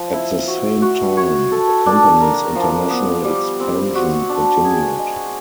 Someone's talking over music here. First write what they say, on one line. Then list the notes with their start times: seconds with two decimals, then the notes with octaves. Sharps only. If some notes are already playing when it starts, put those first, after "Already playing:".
At the same time, the company's international expansion continued.
Already playing: F3
0.13 E4
0.47 F#4
0.82 F#4
1.17 C#5
1.52 A4
1.86 D4
2.21 A#4
2.56 F3
2.90 B3
3.24 G3
3.60 C4
3.95 F#4
4.29 D4
4.64 G#4
4.99 G#3